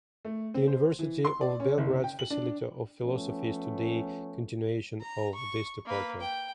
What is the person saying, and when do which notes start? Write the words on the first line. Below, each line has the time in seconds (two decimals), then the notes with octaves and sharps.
The University of Belgrade's Faculty of Philosophy is today's continuation of this department.
0.25 A3
0.54 C4
0.67 C5
0.99 E3
1.25 C6
1.41 D5
1.60 C#4
1.78 F#1
2.04 G5
2.19 F#7
2.30 D4
3.03 F3 A3 B3 C#4
5.01 A#5
5.35 C#6
5.86 A#3 B4
6.21 G5